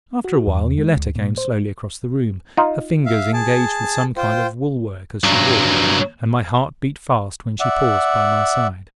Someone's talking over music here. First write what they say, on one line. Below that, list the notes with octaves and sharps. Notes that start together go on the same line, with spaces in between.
After a while Yoletta came slowly across the room, her fingers engaged with some kind of wool-work as she walked, and my heart beat fast when she paused by my side.
F#4
E2
G#3
D2
A#2
C5
D#4 F4
E5 F5
G#4 A5
F4 C5 G5
G2 F#3
D5 E5 F#5